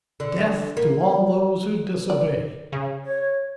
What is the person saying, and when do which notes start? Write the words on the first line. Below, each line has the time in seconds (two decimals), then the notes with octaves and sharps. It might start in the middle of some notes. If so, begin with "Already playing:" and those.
Death to all those who disobey.'
0.20 D3
0.77 A#3
2.10 D5
2.72 C#3
3.05 C#5